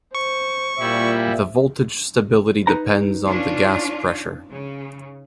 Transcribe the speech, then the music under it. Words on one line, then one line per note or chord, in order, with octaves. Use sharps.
The voltage stability depends on the gas pressure.
C5 C#6
A#2 G3 E4 E5
D#4 B4 A#5
C#4 D4 F4
C#3